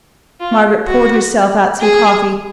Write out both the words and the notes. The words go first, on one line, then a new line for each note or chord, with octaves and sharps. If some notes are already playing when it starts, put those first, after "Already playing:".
Margaret poured herself out some coffee.
F4
F#4
G#4